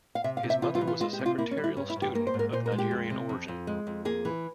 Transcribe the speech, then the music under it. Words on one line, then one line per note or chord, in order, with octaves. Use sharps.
His mother was a secretarial student of Nigerian origin.
F5
C3 E5
F5
C3
E5
E3 F4
F4
E3
F4
G#3 F4
G4
C3
F4
A#3 E4
C#4
G3
E4
G2 C#4
E4
G2
G4
A#3 A#4
C5
G#2
A#4
A#2 C5
A#4
G#3
G4
F2
C3
F2
F2
G#3
F2
A#3 G#4
E3